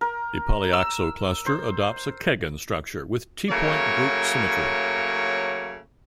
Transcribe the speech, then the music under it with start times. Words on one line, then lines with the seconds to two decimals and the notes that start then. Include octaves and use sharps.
The polyoxo cluster adopts a Keggin structure, with T point group symmetry.
0.01 A#4
0.73 E6
1.46 C5
3.50 C#3 F#3 A3 A#3 C#5